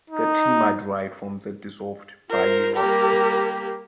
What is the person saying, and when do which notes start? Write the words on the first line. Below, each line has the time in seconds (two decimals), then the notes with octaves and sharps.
The team are derived from the dissolved Bayi Rockets.
0.10 D#4
2.29 F4 A#4 C5
2.76 G3 A#3 G4 A#4